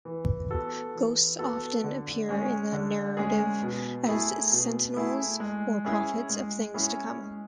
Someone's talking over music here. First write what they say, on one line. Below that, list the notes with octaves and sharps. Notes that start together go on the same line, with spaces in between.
Ghosts often appear in the narrative as sentinels or prophets of things to come.
E3
B3 F#4 A4
E3
B3 F#4 A4
D3
G#3 C#4 G#4
D3
G#3 C#4 G#4
B2
A3 E4 G#4
B2
A3 E4 G#4
G#3
C#4 E4 G#4
G#3
C#4 E4 G#4
G#3